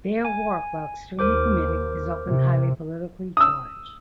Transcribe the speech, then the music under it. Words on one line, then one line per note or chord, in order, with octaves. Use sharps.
Their work, while extremely comedic, is often highly politically charged.
G#5
D#2 A#4 C5 D6
C3
D#6 E6